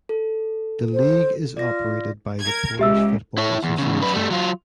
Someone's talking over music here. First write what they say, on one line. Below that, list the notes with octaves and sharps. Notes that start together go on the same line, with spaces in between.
The league is operated by the Polish Football Association.
A4
C5
F4 D5 A#6
A#4 G#6
C#2 G4 E5 E6
E4 C#5
E2
E2 C#3
F#2 B4
G3 A3
F#3 F4